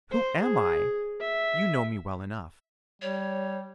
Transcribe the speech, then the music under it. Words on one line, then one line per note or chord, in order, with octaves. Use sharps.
"Who am I? You know me well enough."
C5
G#4
E5
G3 C#5